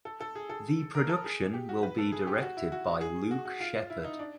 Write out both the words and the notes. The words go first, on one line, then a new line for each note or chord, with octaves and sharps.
The production will be directed by Luke Sheppard.
A4
A4
G#4
A4
A#4
A4
G#4
G4
F#4
B4
A4
G#4
G4
F#4
E4
F#4
G#4
F#4
F#4
F4
E4
D#4
D4